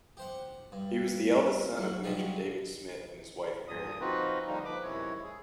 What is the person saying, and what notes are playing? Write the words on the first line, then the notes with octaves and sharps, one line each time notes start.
He was the eldest son of Major David Smith and his wife Harriet.
G4 C5 F#5
G2
F#3 E4
B2 E3 F#3 G3 F4 F#4
E2 G2 A#2 D#6
F3 C4 D#4 F4 F#4 B4
D3 F3 G3 A#3 D#4
F3 B4 D6
F#2 C3 D#3 G#3 E4 C#5
G#4